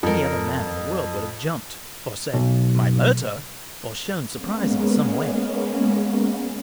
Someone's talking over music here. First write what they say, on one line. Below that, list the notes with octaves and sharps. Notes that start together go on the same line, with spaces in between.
Any other man in the world would have jumped, or said, "My letter!!!" or shown surprise in some way.
F2 A4 A#4
B1
G#3 A#3 B3 C#4